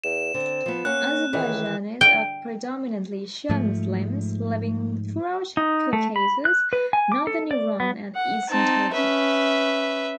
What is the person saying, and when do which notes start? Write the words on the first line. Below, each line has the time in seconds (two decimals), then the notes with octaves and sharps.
Azerbaijanis are predominantly Shia Muslims living throughout Caucasus, northern Iran and eastern Turkey.
0.04 E2 E7
0.34 D3 C4
0.66 F3 B3
0.85 A#3 C#4 F#5 F#6
1.33 C#2 D#3 E3 E4
2.01 G5
3.50 G#2 F3 A3
5.57 D#4
5.93 A3
6.16 B5
6.45 F#6
6.73 B4
6.93 G#5
7.12 D6
7.27 A4
7.51 D5
7.80 B3
8.15 F#5
8.49 C4 D#4 A5
8.94 C#4 B4 E5